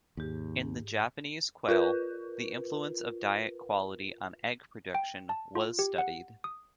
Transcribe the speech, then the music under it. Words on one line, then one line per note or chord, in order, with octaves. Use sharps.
In the Japanese quail, the influence of diet quality on egg production was studied.
D#2 G#2 G4
F4 A#4 B4
G5
A5
F4
G4
F#5
D#6